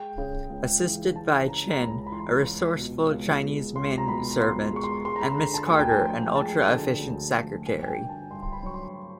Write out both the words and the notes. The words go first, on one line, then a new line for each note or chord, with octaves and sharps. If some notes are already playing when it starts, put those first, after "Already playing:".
Assisted by Chin, a resourceful Chinese manservant, and Miss Carter, an ultra-efficient secretary.
Already playing: G#3 G5
C#3
C#2
E3
G#3 A5
C#3 A#5
A#5
C#2 B5
B5
E3 C6
C#2
B2
C#2
G#3
C#2 C6
A#5
B2 B5
C#2 C6
G#3 C#6
C6
G#3 C6
A#5
B5
D3 A#5
A5
D2 G#5
G5
G#5
F3
G#3 A5
D3
D2
F3
G2 G#5
G5
G#5
D3
A5
G2 C6
C6
B5
F#3 C#6
C6